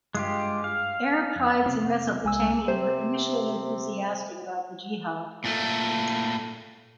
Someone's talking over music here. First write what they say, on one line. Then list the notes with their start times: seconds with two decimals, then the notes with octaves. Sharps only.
Arab tribes in Mesopotamia were initially enthusiastic about the Jihad.
0.15 G2 G#3 F4 G4
0.64 F5
1.36 F2
1.66 C3 B3 C4
2.25 C2 G#3 G#5 E6
2.68 C3 C5
5.44 A#2 A3